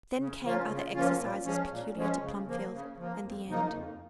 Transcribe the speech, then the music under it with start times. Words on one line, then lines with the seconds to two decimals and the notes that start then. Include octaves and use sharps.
Then came other exercises peculiar to Plumfield, and the end.
0.18 C#3
0.43 F3 A#3 C#4 F4
0.69 C#3
0.95 F3 A#3 C#4 F4
1.19 A#2
1.45 F3 G#3 C#4
1.70 A#2
1.96 F3 G#3 C#4
2.21 C#3
2.47 F3 A#3
2.72 C#3
2.97 F3
3.02 A#3
3.23 F2
3.48 C#3 F3 A#3 D#4
3.74 F2